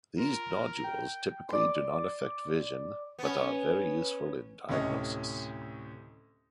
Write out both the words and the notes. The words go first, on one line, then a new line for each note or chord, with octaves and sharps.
These nodules typically do not affect vision, but are very useful in diagnosis.
F4 A#4
G5
D5 C6
B3 C#4
D2 A2 C3 C#4 C#5 D#5